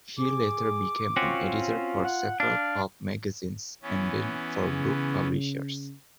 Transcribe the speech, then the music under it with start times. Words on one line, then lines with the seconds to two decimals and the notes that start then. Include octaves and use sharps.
He later became an editor for several pulp magazines and then for book publishers.
0.18 G#4 D6
1.17 C4 C#4 F4 F#4
2.04 F#5
2.40 D4 F5
3.82 E3 B3 C#4
4.66 C#3